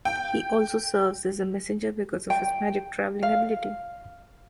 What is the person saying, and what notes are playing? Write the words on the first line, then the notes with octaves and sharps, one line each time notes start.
He also serves as a messenger because of his magic travelling ability.
G5
G5
F5